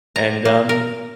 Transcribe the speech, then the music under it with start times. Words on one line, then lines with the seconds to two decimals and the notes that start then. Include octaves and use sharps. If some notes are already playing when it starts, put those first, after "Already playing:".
and, um,
0.16 A#5
0.45 A#3
0.69 A#4